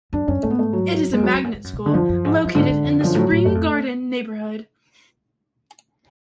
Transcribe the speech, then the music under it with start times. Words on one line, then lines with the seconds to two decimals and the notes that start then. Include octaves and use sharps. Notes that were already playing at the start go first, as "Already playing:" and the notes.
It is a magnet school, located in the Spring Garden neighborhood.
0.13 F#2 D4
0.28 F#2 C#4
0.43 G#2 A3
0.50 B3
0.59 A3
0.73 F#3
1.08 F#2
1.13 G#3
1.19 F2 F#3
1.34 F2
1.44 F#2
1.54 G#2
1.64 F#2
1.73 B2
1.86 D3
1.94 F#2 F3
2.09 F#2
2.25 G#2
2.44 F#2
2.54 G#2 D3
2.70 G#2
2.84 F2
3.00 F#2 F3
3.15 A2 F#3
3.30 A2
3.45 F#2 A3
3.55 F2